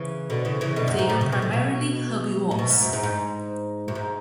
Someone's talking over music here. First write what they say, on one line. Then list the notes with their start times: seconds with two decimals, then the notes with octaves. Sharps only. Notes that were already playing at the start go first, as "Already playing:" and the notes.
They are primarily herbivores.
Already playing: C#3 E3
0.30 B2 D3
0.45 C#3 E3
0.61 C#3 E3
0.76 B2 D3
0.88 F#2
0.98 G#2
1.09 A2
1.21 C#3
1.32 B2
1.42 A2
1.53 B2
2.51 A2
2.59 B2
2.70 G#2
2.82 F#2
2.93 G#2
3.03 G#2
3.88 F#2
3.95 G#2